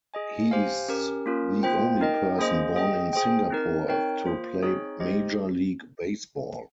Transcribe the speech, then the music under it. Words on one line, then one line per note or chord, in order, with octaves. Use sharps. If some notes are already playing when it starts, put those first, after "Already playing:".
He is the only person born in Singapore to play Major League Baseball.
G#4 D#5 G#5
G4 C5 F5 G#5
C#4 G4 A#4
A#3 C#4 F4 A#4
A#3 F4 C5 G5
D#4 A#4 D#5 G5
A#3 C#4 G#4 C5 D#5
G#4 D#5 G5
G#4 C5 G5
C4 D#4 A#4
C4 D#4 A#4 C#5 G5
A#3 F4 C5
C4 D#4 G#4 C#5
D#4 G4 C5 D#5